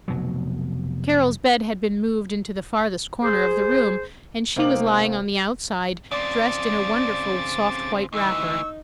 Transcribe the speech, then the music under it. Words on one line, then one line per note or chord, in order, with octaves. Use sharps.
Carol's bed had been moved into the farthest corner of the room, and she was lying on the outside, dressed in a wonderful soft white wrapper.
F1 B2 F#3
G#4 C5
C3 A#3 C4 D#4 D6 F#7
C#3 C4 D5 D6 A6
D2 E3 D#4 C#6 E6